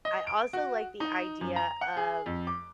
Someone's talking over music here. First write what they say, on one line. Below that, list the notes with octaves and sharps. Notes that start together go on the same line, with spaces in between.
I also like the idea of,
D#5
D7
F#4
D#4
F#2
A#5
F#5
G#4
F2
D6